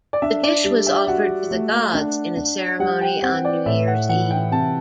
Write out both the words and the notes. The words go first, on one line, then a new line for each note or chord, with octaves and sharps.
The dish was offered to the gods in a ceremony on New Year's Eve.
D5
D4 E5
D5
G3
E5
F#4 F#5
A3
D4
D4
G3 F#5
G5
C4 F#5
D5
A2 E5
F#5
E3 F#5
G5
C3 A5